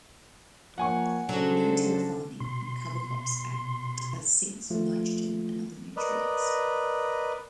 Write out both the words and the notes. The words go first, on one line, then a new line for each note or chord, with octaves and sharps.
No-till farming and cover crops act as sinks for nitrogen and other nutrients.
F3 A#3 C#5 F#5 G#5 C#6
C#3 F#3 D4 A4 C5
B2 C6
F3 A3 F4
A#4 B4 D5 D#5